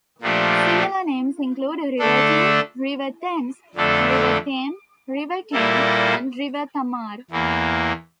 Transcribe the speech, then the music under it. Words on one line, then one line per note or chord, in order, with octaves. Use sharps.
Similar names include River Team, River Thames, River Thame, River Tame and River Tamar.
A#2 F3 A3 D4 G4
D3 A3 D4 A4
F2 D3 A3 D4 A4
A#2 G3 A#3 E4 A4
E2 E3 A#3